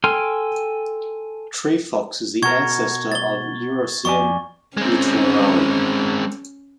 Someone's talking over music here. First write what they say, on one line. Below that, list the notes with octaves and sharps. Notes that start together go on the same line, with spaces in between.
Tree Fox is the ancestor of the Urocyon littorali.
A4 G5 G#5 C6 F6
B2 F#4 A#4 C#6 G#6
A6 G7
F2 D5 G#5 C#6
G#3 C4 C#4